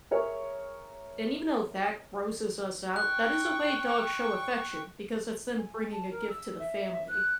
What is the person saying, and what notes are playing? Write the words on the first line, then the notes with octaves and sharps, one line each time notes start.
and even though that grosses us out, that is a way dogs show affection because it's them bringing a gift to the family.
G#4 A#4 C#5 E5
G5 C#6 F#6
G#5
A5
A#4
E6
E5
F#6